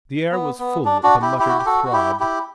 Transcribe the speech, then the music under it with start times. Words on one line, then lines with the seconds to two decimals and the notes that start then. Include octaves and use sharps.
The air was full of a muttered throb.
0.32 B3
0.59 B3
0.85 D4
1.03 D4 F#4
1.22 E4 G4
1.39 E4 G4
1.49 F#4
1.58 G4
1.66 F#4 A4
1.84 F#4
1.93 E4 G4
2.20 E4 G4